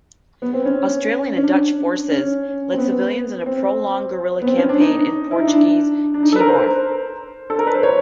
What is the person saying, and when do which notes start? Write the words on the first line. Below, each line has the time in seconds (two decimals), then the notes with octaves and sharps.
Australian and Dutch forces led civilians in a prolonged guerilla campaign in Portuguese Timor.
0.42 B3
0.53 C4
0.65 C#4
1.37 C#4
1.44 D4
2.11 C#4
2.73 C4
2.78 B3
3.46 C4
4.42 B3
4.47 C4
4.58 C#4
4.69 D4
4.80 D#4
5.31 E4
5.40 D#4
5.47 D4
6.14 D4
6.23 D#4
6.32 A4
6.36 B4
6.40 A#4
6.48 C5
7.50 A4
7.59 A#4
7.67 B4
7.75 C5
7.83 C#5